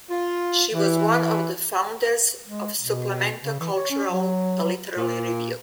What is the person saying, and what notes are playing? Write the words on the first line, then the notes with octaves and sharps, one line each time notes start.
She was one of the founders of "Suplemento Cultural," a literary review.
F4
E3
G#3
B2
C#3
E3
C#5
C#4
F#3
F#3
A#2